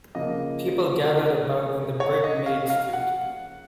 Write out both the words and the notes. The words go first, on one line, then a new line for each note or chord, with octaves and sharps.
People gathered about in the brick made street.
C#3 F3 A#3 D#5
C#5
D#5
F5
F5
F#5